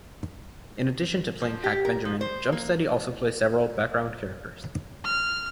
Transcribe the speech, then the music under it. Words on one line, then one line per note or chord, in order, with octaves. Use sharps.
In addition to playing Hack Benjamin, Jumpsteady also plays several background characters.
F3
G4
A#4
F3
C5
A#3
F6